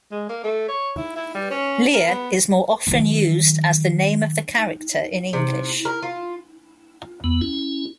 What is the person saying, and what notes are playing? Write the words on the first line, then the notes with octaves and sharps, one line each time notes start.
Lir is more often used as the name of the character in English.
G#3
A#3
A3
C#5
E4
E4
G3
C#4
A#4
B3
D#3 F#3
C3
A#4
F4
E2 B3
C#4 E4